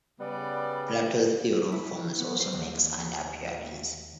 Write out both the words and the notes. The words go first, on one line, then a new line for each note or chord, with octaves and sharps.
Plato's theory of forms also makes an appearance.
C#3 G3 B3 D5
E4
B3
C5
D#2